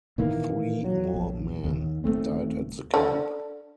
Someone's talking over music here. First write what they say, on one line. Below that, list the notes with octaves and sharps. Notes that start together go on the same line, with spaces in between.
Three more men died at the camp.
A#2 D#3 E3 A#3
F#3
A#1
D#2
D#1 G#2 A3 C4
D3